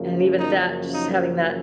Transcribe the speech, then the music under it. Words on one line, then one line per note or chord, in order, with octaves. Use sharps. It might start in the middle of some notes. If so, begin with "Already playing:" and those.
and even that, just having that,
Already playing: F#2 C#3 F3 A#3
D#4
D#4